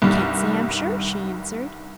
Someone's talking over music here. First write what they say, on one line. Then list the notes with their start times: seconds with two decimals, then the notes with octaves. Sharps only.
"Can't say, I'm sure," she answered.
0.02 C2 G2 D#3 G3